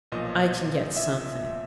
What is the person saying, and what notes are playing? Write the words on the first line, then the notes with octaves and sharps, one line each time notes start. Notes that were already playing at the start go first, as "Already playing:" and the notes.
"I can get something."
B1 A#2 F3 D#5
E5